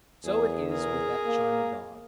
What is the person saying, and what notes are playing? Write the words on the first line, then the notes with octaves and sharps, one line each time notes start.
So it is with that china dog.
E2 G#4
G#4 A#4
A#3